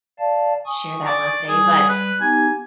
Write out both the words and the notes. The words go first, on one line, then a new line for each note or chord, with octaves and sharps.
share that birthday, but
D5 F5 A5
G#5 C#6 D#6
D5
G3 G#4
B4
B3 D#4 G4 G#5